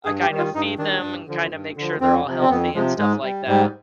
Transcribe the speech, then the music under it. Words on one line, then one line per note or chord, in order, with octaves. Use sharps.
I kind of feed them and kinda make sure they're all healthy and stuff like that.
G2 G#4
G4
D#3 G3
F4
G2 D#4
D#3 G3 D4
G2
D3 F3
G2
D3 F3
F2 C4
C3 F3
C4
F2 B3
C3 F3 G#3
G#2 G#3
G3
G#2 G3